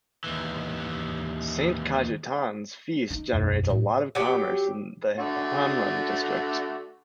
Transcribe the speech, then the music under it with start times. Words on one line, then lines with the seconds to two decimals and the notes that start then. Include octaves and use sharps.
Saint Cajetan's feast generates a lot of commerce in the Hamrun district.
0.24 D#2 E3
3.11 D#4
3.33 E1 B1 F#2
3.70 A2
4.15 F#3 G4
5.19 D3 A3 F#4